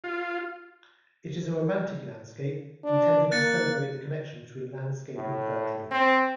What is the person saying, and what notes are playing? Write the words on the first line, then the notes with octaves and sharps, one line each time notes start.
It is a "romantic landscape", intended to celebrate the connection between landscape and poetry.
F4
D4
A#3 F#6 A6 C#7
A2
C4